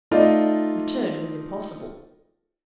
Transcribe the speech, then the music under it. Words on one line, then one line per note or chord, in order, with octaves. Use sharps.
Return was impossible.
A3 D#4 F4 D5 D#5